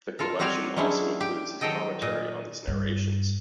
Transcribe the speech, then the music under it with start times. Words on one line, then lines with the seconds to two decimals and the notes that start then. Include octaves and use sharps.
The collection also includes his commentary on these narrations.
0.19 F4 A4 A#4
0.39 G3 C4 F#4 G4 C#5 F5
0.77 F#3 G#3 C#4 D4 E4 C5
1.21 G4
1.61 D#3 F#3 A4 D#5 G5
2.02 A#2 D#5
2.68 G2